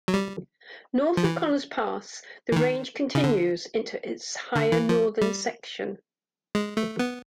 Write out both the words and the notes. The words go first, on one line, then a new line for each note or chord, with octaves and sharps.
North of Connors Pass the range continues into its higher northern section.
F#3
G3
F3
E3
E3
D#3
C#3
D3
D3
E3
F3
G3
G#3
A3
B3